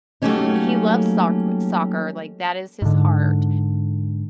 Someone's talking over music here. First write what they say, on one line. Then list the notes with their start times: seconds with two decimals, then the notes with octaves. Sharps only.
he loves soc soccer, like, that is his heart,
0.22 F#3 G3 A3 A#3 C#4 D#4
2.82 G#2 D3